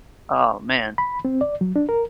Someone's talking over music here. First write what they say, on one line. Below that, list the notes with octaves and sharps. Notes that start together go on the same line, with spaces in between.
Oh, man.
B5
C4
D5
F#3
D4
A#4